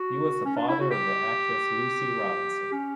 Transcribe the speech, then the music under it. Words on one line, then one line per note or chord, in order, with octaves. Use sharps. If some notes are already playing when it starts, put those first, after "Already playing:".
He was the father of the actress Lucy Robinson.
Already playing: F#4
C#4
D4
E4
F#4
G4
C#4